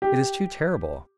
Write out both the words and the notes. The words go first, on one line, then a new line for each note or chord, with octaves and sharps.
'It is too terrible!
G4